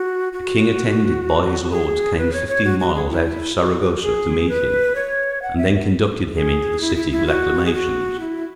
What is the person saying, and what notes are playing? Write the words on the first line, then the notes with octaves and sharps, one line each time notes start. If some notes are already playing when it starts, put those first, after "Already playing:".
The king, attended by his lords, came fifteen miles out of Saragossa to meet him, and then conducted him into the city with acclamations.
Already playing: F#4
F#4
G#4
B4
C#5
C#5
F#4
F#4
G#4
E4
F#4
G#4
B4
C#5
F#5
E5
G#4
E4
E4
E4
F#4
G#4
F#4
E4